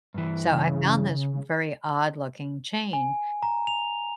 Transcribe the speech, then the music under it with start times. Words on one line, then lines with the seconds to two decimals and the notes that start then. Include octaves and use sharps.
So I found this very odd-looking chain,
0.14 G2 E3
0.53 C#3
2.93 G#5
3.43 A#5
3.67 F7